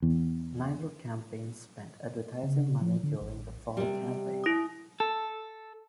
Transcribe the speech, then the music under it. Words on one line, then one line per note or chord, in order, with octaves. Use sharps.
Neither campaign spent advertising money during the fall campaign.
E2
C#3
F3
D3
A1
C3 G3
E4 D#6
A4